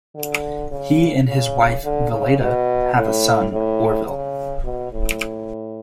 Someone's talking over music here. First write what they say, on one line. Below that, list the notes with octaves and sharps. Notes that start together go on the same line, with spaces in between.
He and his wife, Valeda, have a son, Orville.
D3
C#3
C#3
D3
C#3
B2
A2
A2
C#3
B2
A2